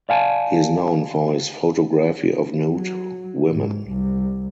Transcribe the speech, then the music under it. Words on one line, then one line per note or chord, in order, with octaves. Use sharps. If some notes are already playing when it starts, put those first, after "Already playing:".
He is known for his photography of nude women.
D5 F5 G#5 A5
F#3
G#2
C2